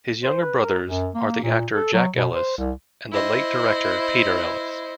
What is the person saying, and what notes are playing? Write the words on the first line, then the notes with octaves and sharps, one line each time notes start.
His younger brothers are the actor Jack Ellis and the late director Peter Ellis.
C5
B4
A#4
F#2
A#3
A#2
A4
F#3
B2
C5
C2
E4 C5 D#5